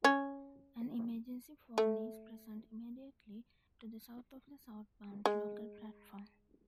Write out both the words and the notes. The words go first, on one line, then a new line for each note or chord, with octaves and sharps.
An emergency phone is present immediately to the south of the southbound local platform.
C#4
A3
G#3